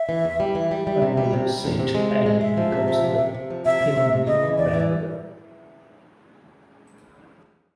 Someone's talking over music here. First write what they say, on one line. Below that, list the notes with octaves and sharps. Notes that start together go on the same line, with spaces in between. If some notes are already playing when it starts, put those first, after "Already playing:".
Her mother Saint Anne becomes the heavenly grandmother.
Already playing: E5
E3
E2
G3
E3 E5
G3
G3
C3
G3
C3
G3
E2
C3
G#3
C3
G#3
G#3 E5
F3
C3
F3
C3
C3
C3
F3
C3 E5
C3
C3
C3
C#3 D#5
E3
E2 D5
E3